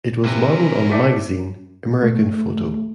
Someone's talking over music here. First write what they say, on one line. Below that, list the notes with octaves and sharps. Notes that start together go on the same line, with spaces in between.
It was modeled on the magazine "American Photo".
C3 E3 E4 A#4 C5 G#5
A3 D5 E5 D6
A3